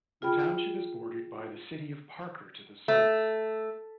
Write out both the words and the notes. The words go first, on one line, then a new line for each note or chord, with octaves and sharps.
The township is bordered by the city of Parker to the south.
F4 G#4 G5 B5 F6
A3